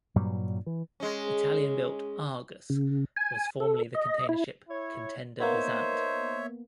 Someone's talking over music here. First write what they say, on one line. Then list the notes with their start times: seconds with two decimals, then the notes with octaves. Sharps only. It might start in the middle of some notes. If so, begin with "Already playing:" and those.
Italian-built, "Argus" was formerly the container ship "Contender Bezant".
0.16 G2 A#2 F#3 G3
0.66 E3
1.00 G#3 C#4
2.70 C#3
3.16 G#5
3.60 A4
3.95 D#5
4.29 E4
4.69 E4 C#5
5.40 A#3 B3 D#4 C5 C#5 E5